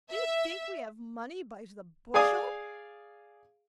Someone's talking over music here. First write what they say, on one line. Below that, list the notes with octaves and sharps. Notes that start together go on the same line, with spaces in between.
'Do you think we have money by the bushel?'
E5
G#4 D5 F5 G#5 D#6